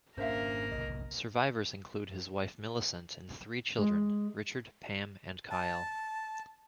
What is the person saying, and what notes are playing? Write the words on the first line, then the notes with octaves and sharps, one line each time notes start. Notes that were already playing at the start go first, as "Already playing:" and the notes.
Survivors include his wife Millicent and three children, Richard, Pam and Kyle.
G#1 A#3 C#4 D4 A#4 C5 E5 F5
F1 B1 D#5
G#3
A5